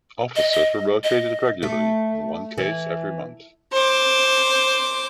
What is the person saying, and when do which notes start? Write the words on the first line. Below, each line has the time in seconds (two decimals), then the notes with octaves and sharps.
Officers were rotated regularly-in one case every month.
0.36 D#5
0.52 D#5
1.03 D#5
1.63 A3
2.58 E3
3.73 C5 D6